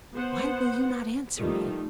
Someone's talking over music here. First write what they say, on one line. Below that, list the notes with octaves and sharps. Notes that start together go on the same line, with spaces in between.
Why will you not answer me?
B3 C5 F#5
D#3 F3 G3 A3 D#4